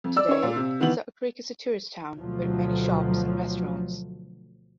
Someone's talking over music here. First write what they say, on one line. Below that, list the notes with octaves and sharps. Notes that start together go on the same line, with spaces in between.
Today, Sutter Creek is a tourist town with many shops and restaurants.
F2
D5 E6
C#4 C#5
A#2
C3
D#3 E3 B3 F#7
D2 B2 F3 F#3